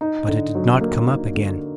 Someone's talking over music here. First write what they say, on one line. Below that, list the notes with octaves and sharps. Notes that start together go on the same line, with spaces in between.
But it did not come up again.
D#4
D3
F#3
A#3
D#4
D3